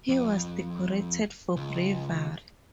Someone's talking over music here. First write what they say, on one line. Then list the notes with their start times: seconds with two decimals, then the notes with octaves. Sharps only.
He was decorated for bravery.
0.09 F2
1.56 C#2